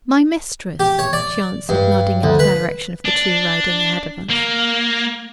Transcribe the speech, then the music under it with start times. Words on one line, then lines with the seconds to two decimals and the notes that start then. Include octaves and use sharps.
"My mistress," she answered, nodding in the direction of the two riding ahead of us.
0.80 G4
0.99 C#5
1.13 D5
1.69 G2
2.23 D2
2.39 B4
3.05 D4
4.29 A#3